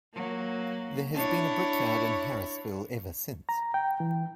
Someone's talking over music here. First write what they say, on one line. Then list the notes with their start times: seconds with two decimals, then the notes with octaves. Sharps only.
There has been a brickyard in Harrisville ever since.
0.14 F#3 A#3
1.14 D4 E4 C#5
3.49 A#5
3.74 G5
4.00 E3